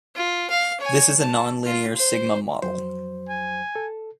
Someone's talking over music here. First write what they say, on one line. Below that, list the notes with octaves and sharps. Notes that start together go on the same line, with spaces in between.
This is a non-linear sigma model.
F4
F5
C#5 G#5
A5
F4
C5
F2 F#3 C5
G#5
A4